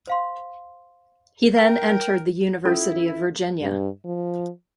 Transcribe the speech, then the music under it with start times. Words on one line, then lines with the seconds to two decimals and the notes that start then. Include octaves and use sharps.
He then entered the University of Virginia.
0.07 C5 F5 C6
1.57 A#4 G5
2.65 C#4 E4 F4 A4
3.62 G2
4.05 F3